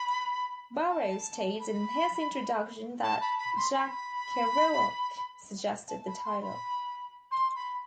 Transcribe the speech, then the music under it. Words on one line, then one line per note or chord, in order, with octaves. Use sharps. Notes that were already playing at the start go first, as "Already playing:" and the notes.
Burroughs states in his introduction that Jack Kerouac suggested the title.
Already playing: B5
B5
A5
B5
A5
B5
B5
C6
C6
B5
A5
B5
C6
B5
C6
B5